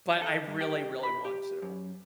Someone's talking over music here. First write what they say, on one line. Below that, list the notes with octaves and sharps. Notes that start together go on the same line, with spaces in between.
But, I really, really want to.
A4
G2
G4
B5
G4
F#2